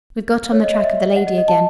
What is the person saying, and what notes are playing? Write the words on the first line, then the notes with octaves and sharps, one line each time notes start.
We've got on the track of the lady again.
C#5
D#5
E5
E5
F#5
D#5
D#5
A5